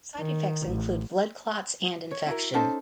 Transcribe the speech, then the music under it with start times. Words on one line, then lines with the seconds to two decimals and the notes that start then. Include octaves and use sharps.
Side effects include blood clots and infection.
0.18 D#3
0.67 A1
2.11 C#5
2.27 E4 F#4 A#4
2.54 C#4 D#4 A4 C5